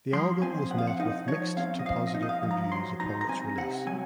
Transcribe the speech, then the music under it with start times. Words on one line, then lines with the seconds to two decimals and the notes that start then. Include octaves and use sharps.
The album was met with mixed to positive reviews upon its release.
0.13 F3 C6
0.42 C4 G#5
0.70 F3 F#5
0.78 F5
0.87 F#5
1.00 D#4 D#5
1.28 F3 C#5
1.57 C4 F5
1.79 D#5
1.86 F3 F5
2.07 D#5
2.14 D#4
2.22 D#5
2.29 F5
2.43 F3
2.51 A#5
2.72 F#3 C6
3.00 D#4 A#5
3.21 A#5
3.29 C4 G#5
3.58 C3 F#5
3.87 F#3 G#5